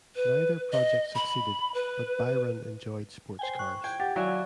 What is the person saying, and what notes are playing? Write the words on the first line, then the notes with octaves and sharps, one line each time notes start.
Neither project succeeded, but Byron enjoyed sports cars.
B4
D#5
B5
B4
C5 G5 G#5
C#6 F#6
G5 G#6
G4 F#5 G5 A6
F#3 D5 E5 F5 G#5